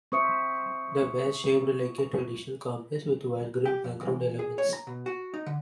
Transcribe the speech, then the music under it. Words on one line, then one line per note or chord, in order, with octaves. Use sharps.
The badge shaped like traditional compass with white-green background elements.
C4 C5 E5 C#6 D#6 C#7
G4
F2
E2
G#4
C#5
A#5
B2
F#4
D#4
D3